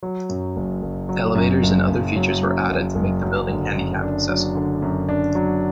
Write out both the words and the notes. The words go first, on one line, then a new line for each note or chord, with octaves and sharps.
Elevators and other features were added to make the building handicapped accessible.
F#3
F#2
F#1
F#1
F#3
F#2
F#1
F#1
F#3
F#2
F#1
F#1
F#3
D3
F#2
D4
F#3
D3
F#2
D4
F#3